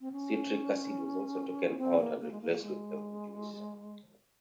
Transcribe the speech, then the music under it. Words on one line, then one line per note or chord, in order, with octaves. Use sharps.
Citric acid was also taken out and replaced with lemon juice.
C4
C#4
C4
A#3
A#3
G#3
A#3
G#3